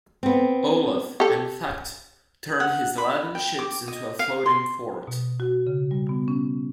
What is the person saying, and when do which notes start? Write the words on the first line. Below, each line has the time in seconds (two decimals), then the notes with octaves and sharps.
Olaf, in fact, turned his eleven ships into a floating fort.
0.23 B3 C4
1.20 G4 A4
2.60 F#5
2.98 B5
3.35 G5
3.59 D6
3.88 D#5
4.19 F5
4.46 C6
5.07 B2
5.40 F#4
5.67 C#3
5.91 G3
6.09 B3
6.28 C#4